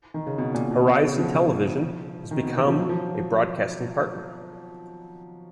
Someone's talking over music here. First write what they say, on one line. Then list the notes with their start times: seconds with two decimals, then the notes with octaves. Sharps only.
Horizon Television has become a broadcasting partner.
0.14 D#3
0.27 C#3
0.38 B2
0.54 A#2
0.71 A#2
0.86 B2
1.03 C#3
1.19 F3
2.31 D#3
2.44 B2
2.55 D#3
2.68 F3
2.79 F#3
2.89 F3